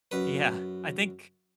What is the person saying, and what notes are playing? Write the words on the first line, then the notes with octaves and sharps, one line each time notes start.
Yeah, I think,
F#2 B4